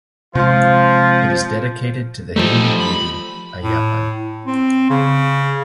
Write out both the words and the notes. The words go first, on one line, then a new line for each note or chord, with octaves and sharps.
It is dedicated to the Hindu deity Ayyappan.
C3 F3 G#3 F4
F3 G3 A3 C4 D#4
B5
A2
C4
C#3